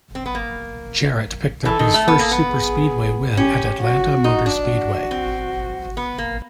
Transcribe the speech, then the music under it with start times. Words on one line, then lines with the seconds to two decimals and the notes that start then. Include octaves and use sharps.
Jarrett picked up his first superspeedway win at Atlanta Motor Speedway.
0.15 C4
0.26 B3
0.35 A#3
1.65 E3 A4
1.79 D#3
1.94 A3
2.08 B3
2.19 A#3
2.31 B3
2.52 G#4
3.37 C#4 G4
3.81 F#4
4.24 D#4
4.46 D4
4.67 F#4
5.11 C4
5.97 B3
6.18 A#3